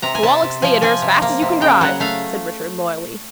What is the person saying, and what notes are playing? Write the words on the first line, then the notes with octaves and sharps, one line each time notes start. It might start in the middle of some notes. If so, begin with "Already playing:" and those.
"To Wallack's Theatre as fast as you can drive!" said Richard loyally.
C3 A#5
G#5
C3 A5
C3
F3 G#5
F3 G#5
C3
A#3
C3
C#3 G5
F#3 F#5
A3 F5